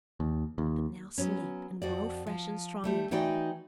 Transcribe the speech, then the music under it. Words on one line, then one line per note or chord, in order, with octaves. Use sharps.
But now sleep and grow fresh and strong again.
D#2
D#2
F#3 B3 C#4
F2 F#4 D5
F3
G3 A3 G4
E3 D#4 F#4 D5 G5